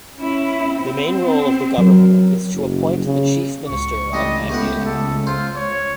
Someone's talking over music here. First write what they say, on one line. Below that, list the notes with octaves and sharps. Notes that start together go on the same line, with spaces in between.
The main role of the Governor is to appoint the Chief Minister of Anguilla.
C#4 E4
C4
F#3 A#4
F#1
C#3
C#2 C#6
A1 G3 D4 D#5
A3 B3 G4 F#5
A4
F4 C5
C#5